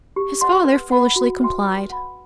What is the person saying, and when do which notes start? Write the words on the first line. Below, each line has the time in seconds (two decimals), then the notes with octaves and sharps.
His father foolishly complied.
0.16 G4
0.41 C5 D#5 F#5 C6
0.65 B4
0.91 F#5 B5
1.16 F#4
1.40 B4 E5 G5 C6
1.65 B4
1.90 F#5 B5